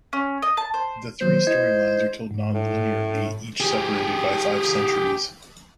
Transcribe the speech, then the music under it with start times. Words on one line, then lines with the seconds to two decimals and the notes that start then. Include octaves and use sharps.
The three story lines are told nonlinearly, each separated by five centuries.
0.13 C#4
0.42 D#5
0.57 A5
0.74 C5
1.21 D#3 F#3 A#3 C5
1.47 E4 D#5 G#6
2.31 G#2
2.54 A2
3.60 G4 G#4